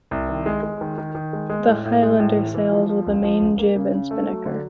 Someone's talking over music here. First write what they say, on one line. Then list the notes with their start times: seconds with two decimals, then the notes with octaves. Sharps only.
The "Highlander" sails with a main, jib and spinnaker.
0.11 C2
0.28 D#3
0.46 G#3
0.63 G#3
0.81 D#3
0.98 D#3
1.15 D#3
1.33 G#3
1.50 G#3
1.67 A2
1.85 A2
2.02 G#3
2.19 A2
2.37 E3
2.55 E3
2.72 F3
2.89 F3
3.06 C#2
3.24 F3
3.41 C#2
3.59 A#3
3.76 C#3
3.93 C#3
4.11 A3
4.28 F#3
4.45 D3